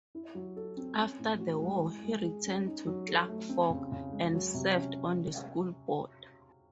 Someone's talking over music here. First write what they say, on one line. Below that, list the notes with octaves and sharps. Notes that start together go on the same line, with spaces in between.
After the war, he returned to Clark Fork and served on the school board.
E4
F#3
A4
C4
C#4
A2
F#4
G#3
E4
G#3
G#4
C#4
D#4
F#3
A4
A3
C4
C#3
C#3
G#3
F#3
C3
C#4